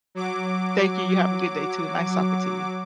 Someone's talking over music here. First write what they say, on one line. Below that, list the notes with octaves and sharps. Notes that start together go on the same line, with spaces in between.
Thank you, you have a good day too, nice talking to you.
F#3 D6